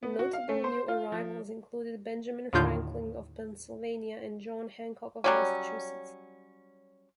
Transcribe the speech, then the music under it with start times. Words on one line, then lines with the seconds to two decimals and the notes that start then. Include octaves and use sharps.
Notable new arrivals included Benjamin Franklin of Pennsylvania and John Hancock of Massachusetts.
0.03 B3
0.19 F#4
0.33 F5
0.49 A3
0.64 C5
0.88 F4
1.12 F3
2.53 D#2 A2 D3 F4 G6
5.24 F#3 G3 C#4